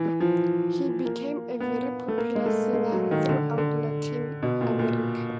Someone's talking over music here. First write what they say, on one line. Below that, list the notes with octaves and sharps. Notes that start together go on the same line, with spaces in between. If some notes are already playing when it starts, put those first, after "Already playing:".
He became a very popular singer throughout Latin America.
Already playing: E3
F3
A#3
B3
A3
A#3
G#3
A3
G#3
F#3
D#3
D3
D3
B2
A#2
A#2